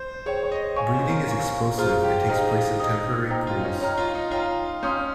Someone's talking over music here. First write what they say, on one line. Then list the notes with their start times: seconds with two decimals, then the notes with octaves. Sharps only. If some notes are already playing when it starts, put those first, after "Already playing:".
Breeding is explosive and takes place in temporary pools.
Already playing: C5
0.26 G#4 C5 C#5 G5
0.43 C#5
0.52 D#5
0.76 C#5 F5 G#5 C#6
0.94 C5
1.10 A#4
1.28 F5 G#5 C#6
1.78 F4 G#4 C5 F5 A#5 F6
2.03 G4
2.28 D#4 G#4 C5 F5 A#5 F6
2.79 D#4 C5 G5 A#5 D#6
3.30 D#4 C5 G5 A#5 D#6
3.47 F4
3.60 D#4
3.64 C#4
3.80 D#4 C#5 G5 A#5 F6
3.98 F4
4.15 D#4
4.31 F4 C#5 G5 A#5 F6
4.83 C#4 F5 C6 D#6 G6